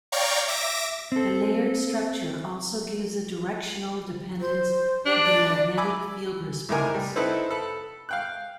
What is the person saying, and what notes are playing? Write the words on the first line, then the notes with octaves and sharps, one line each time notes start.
The layered structure also gives a directional dependence to the magnetic field response.
C#5 D5 F5 G5 A#5 C#6
E5 D6 A#6
C4 A4
C5
D4 G4
D5
G#5 B5 D6 E6
A2 C3 D#4 A#4 G#5
G3
C4 D#4 E4 A4 B4
A4 B5
F5 G5 F#6